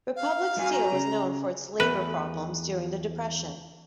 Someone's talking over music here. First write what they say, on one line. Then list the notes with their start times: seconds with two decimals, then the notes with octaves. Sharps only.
Republic Steel was known for its labor problems during the Depression.
0.16 F5
0.57 G2 F#4 G#5
0.72 A#5
0.92 C#3
1.80 E2 A3 B4